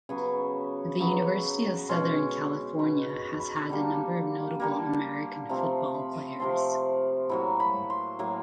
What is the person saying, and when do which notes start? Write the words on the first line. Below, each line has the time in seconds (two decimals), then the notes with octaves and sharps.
The University of Southern California has had a number of notable American football players.
0.09 C#3 F#3 B3 G#5
0.99 C#3 F#3 B3
1.89 B2 G#3 C#4 C6
2.79 B2 G#3 C#4 B5
3.09 B5
3.40 B5
3.69 D3 G3 A#3
4.60 D3 G3 A#3
5.49 C3 F3 A3 C4 A#5
5.94 B5
6.39 C3 F3 A3 C4 C6
7.29 A2 F#3 A#3 B5
7.60 B5
7.90 C6
8.19 A2 F#3 A#3